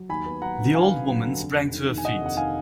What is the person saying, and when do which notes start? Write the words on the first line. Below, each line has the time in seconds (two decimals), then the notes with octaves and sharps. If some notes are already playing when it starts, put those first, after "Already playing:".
The old woman sprang to her feet.
Already playing: F#3
0.10 D#2 G#5 B5
0.26 B3
0.42 F#3 F#5 A#5
0.58 D3
0.74 D#2 F5 G#5
0.91 B3
1.07 F#3
1.23 D3
1.40 F1
1.56 F1
1.72 D#3
1.88 D#2
1.98 G#5
2.05 F1 D#5 F#5
2.21 F1 F#5
2.37 D#3 F5 G#5